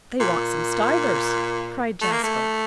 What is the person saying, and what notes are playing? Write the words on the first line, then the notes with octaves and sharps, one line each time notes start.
"They want some stuivers," cried Jasper.
A#2
A3
A#3
A3